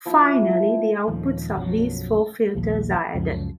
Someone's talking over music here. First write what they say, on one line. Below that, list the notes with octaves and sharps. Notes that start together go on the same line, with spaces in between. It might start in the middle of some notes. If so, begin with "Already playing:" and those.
Finally, the outputs of these four filters are added.
F3 E4 E5
D#1 D#3 F3
B1 F#2 F3 F#3
A#1 D#2 F3
C#2 F#2 F3